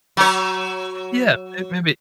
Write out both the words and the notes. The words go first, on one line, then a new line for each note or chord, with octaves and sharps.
yeah, may maybe
F#3 C#5